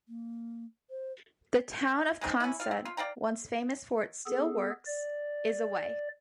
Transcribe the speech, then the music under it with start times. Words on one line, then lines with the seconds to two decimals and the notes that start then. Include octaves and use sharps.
The town of Consett, once famous for its steel works, is away.
0.08 A#3
0.90 C5
2.21 G#3 C4 D#4
2.40 C#4 E4
2.60 F4 F5
2.71 C4
2.85 F4
2.97 D5 F5 G5 A#5
4.26 B3 G#4 A4
4.86 D5